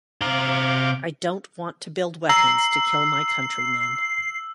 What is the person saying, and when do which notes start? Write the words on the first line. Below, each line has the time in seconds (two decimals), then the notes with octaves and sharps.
I don't want to build weapons to kill my countrymen.
0.21 C3 F5 A#5 D6
2.29 A#5 E6 C7